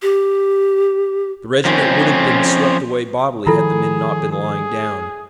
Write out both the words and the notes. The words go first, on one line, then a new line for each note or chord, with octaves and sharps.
The regiment would have been swept away bodily had the men not been lying down.
G4
F3 C4 C#4
D#3 F3 E4 F4 G#4 A4
G#4